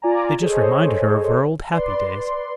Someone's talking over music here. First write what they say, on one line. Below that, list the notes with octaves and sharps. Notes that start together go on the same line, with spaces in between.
They just reminded her of her old happy days.
F4 D5 G#5 A#5
G#4 A4 C5 C#5 D#5
B4 D5 C6